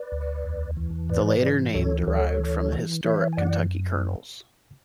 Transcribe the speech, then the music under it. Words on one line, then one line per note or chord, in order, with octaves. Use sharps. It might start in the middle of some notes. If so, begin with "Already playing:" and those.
The latter name derived from the historic Kentucky colonels.
Already playing: B4 D5
D2
E2
E3
G#2 B4 D5
E3
D2 A4 C#5
D2 A4 C#5
E3
E3
E3 C#5 E5
G#5
F#2 D5 F#5